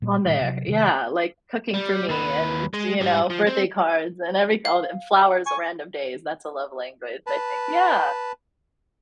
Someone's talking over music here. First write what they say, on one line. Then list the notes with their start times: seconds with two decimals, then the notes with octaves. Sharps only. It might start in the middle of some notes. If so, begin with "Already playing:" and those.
On there, yeah, like cooking for me and, you know, birthday cards and every all and flowers on random days. That's a love language, I think, yeah.
0.02 A#2 G3
0.26 A#2 D#3 G3
0.41 C3 F#3
0.68 C3 D#3
1.74 G3
2.09 D#2 B4
2.74 G#3
3.01 G#2 G3
3.30 F3
3.47 C4
4.65 F5
5.46 G#5 C#6
7.27 B4 A5